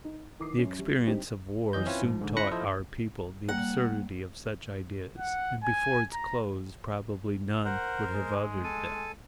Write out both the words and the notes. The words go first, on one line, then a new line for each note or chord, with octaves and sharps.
The experience of war soon taught our people the absurdity of such ideas, and before its close probably none would have uttered them.
D#4
D#3 E3 D6 D#6 C7
F#2 C#4
G3
G3 C4 D4 D#4 G4
F#2 E3 C#4 D#5 G6
C4 C#4 E4 F4 B4 G#5
G#2 F3
G#2 D3
C#4 E4 B5 F#6 A#6 C#7
F3 E4 A4 C5 D#5
G3 A#3 F#5
F#5
G#5
A#5
A#4 C5 F#5
G#3
A4 G#5